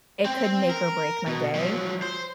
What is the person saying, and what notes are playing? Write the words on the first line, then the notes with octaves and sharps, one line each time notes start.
it could make or break my day.
C4 C5
A#4
B2
F3 F#3
C5